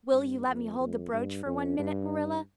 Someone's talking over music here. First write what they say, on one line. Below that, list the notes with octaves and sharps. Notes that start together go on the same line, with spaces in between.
Will you let me hold the brooch for one minute, Marilla?
G2
F2
F2
G2
F2
G2